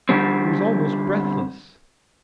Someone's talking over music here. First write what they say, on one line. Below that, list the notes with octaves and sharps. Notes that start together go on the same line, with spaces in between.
He was almost breathless.
D3 G3 C4